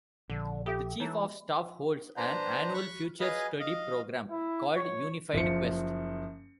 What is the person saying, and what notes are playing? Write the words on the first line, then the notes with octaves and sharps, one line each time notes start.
The Chief of Staff holds an annual future study program called Unified Quest.
A#1 D3
F4 G4 A4 E5
E3 D#4 C#5 A#5
D4 B4 C5 A#5
B5 C#6 F#6
G#4 B4 D#5 F5 G#5
D#5 F5
E4
C#5
F#1 F3 C#7